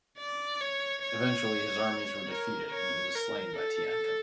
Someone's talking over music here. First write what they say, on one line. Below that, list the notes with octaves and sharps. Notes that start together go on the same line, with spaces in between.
Eventually his armies were defeated and he was slain by Teancum.
D5
C#5
C#5
A#4
C#5
A#4
A4